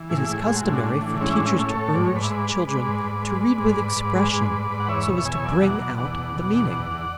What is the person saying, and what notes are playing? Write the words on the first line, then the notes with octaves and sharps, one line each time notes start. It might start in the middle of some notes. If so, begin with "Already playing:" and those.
It is customary for teachers to urge children to read with expression, so as to bring out the meaning.
Already playing: E3
A2 E4 G#4
A2
G#3 G#4
F#4
A2 E4
D4 F#4
A2 D4
E3
G#3 C#4 E4
D4
A2
C#4 E4
A2
A4 C#5
A2
G#2 D5
C#5
G#2 B4 D5
E5
G#3 B4 D5
G#3
G#3 B4 D5
G#2
G#2
G#3
G#3
G#2
G#2
G#2
G#3
G#2
G#2
G#2
F#5
E2 C#5 E5
B2
E2 E5 G#5
C#5
F#3 D5
E5
B2 D5 F#5
B2
E2 D5 F#5
B2
B2
E2
E2
E2